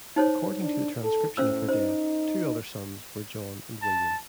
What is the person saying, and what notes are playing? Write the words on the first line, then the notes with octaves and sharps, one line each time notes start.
According to the transcription of her death, two other sons were John and William.
D#4 C5 C#5
D4
A4
A2 C#4 C5 E6
D#4 C5
A5